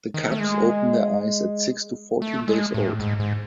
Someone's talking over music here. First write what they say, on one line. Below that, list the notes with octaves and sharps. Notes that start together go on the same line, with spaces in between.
The cubs open their eyes at six to fourteen days old.
D#3
A3
G#3
A3
G#3
A2
G#2
G#2